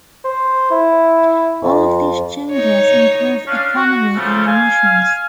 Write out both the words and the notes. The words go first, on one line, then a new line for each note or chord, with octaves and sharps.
All of these changes improved economy and emissions.
C5
E4
F2
D#4 C#5
C#4 D4 F5
F#4
C#3 F3 A3
F5 G#5